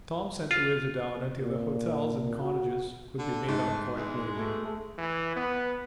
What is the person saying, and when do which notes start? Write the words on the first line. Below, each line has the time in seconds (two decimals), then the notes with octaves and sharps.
Tom sent the WHIZZER down until the hotels and cottages could be made out quite plainly.
0.51 F4
1.39 A#2
2.40 F#4
3.18 D3
3.48 G#2 A3
3.96 E2 G#3 G#4
4.36 B2 A3
4.98 E3
5.36 B3